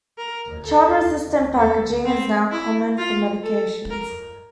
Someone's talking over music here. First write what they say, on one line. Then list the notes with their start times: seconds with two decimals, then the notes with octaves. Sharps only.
Child-resistant packaging is now common for medications.
0.18 A#4
0.65 A4
1.58 A4
2.05 C4
2.51 E4
2.98 F4
3.44 A4
3.90 A#4